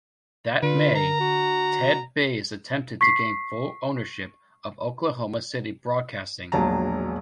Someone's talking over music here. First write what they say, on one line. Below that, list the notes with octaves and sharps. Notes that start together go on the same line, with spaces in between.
That May, Ted Baze attempted to gain full ownership of Oklahoma City Broadcasting.
D3 F4 B4
A#4 A#5
F#4
C#6 B6 C7
E1 A#1 F#3 A5 A#5